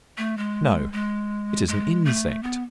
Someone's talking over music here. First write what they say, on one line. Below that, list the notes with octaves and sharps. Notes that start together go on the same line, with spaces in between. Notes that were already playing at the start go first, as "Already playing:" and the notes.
No, it is an insect.
A3
G#3
G#3
G#3
A3
B3